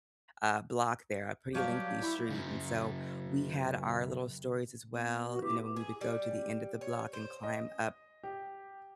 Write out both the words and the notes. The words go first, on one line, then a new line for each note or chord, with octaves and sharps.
uh, block there, a pretty lengthy street, and so we had our little stories as well, you know, when we would go to the end of the block and climb up,
F#3 G3 B3 G4 C#5 F5 A5
E4 D5 A#5 C#6
C#3 F#3
B3
F#4
E4 G4 B4 D6
G#4
G3
C#5
C5
D#5
G4